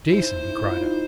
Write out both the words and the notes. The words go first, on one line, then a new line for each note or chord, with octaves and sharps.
"Jason!" he cried out.
E4 C5
E4
E4
E4
F4
D#4